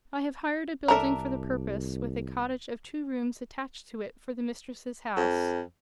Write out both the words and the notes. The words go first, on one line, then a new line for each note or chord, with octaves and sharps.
I have hired a building for the purpose, with a cottage of two rooms attached to it for the mistress's house.
C2 D4 A4 A#4 E5 A#5
F2